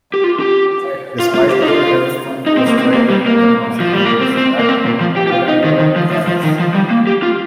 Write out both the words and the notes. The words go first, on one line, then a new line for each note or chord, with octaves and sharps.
Despite poor health, Funk was tried with other Nazi leaders at the Nuremberg trials.
G4
F4
G4
F4
F4
G4
D#4
F4
D#4
C4
A#3
C4
A#3
G3
A#3
F3
G3
A#3
C4
C4
A#3
C4
A#2
F3
G4
G4
F4
D#4
D#3
D#3
F3
F3
F3
D#3
F3
G3
A#3
G4
F4